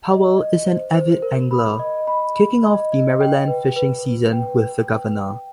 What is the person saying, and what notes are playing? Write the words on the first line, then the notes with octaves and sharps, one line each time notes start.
Powell is an avid angler, kicking off the Maryland Fishing season with the governor.
D#5
D#5
C5
C5
A#4
B5
D#5
B5
B5
D#5
D#5
G5
B4
B4
B4
G5
B4
G5
G5